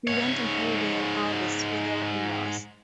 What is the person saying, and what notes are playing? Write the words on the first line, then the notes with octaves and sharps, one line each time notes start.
We went on holiday in August with our in-laws.
G#2 C#5